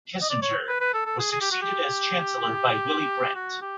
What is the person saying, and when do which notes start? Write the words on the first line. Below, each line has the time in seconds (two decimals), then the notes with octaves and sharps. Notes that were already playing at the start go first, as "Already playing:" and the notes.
Kiesinger was succeeded as Chancellor by Willy Brandt.
0.22 D#5
0.30 D5
0.42 C#5
0.68 B4
0.80 B4
0.94 A4
1.06 A4
1.19 G#4
1.32 G#4
1.41 G4
1.52 F#4
1.62 G4
3.35 F#4
3.61 G4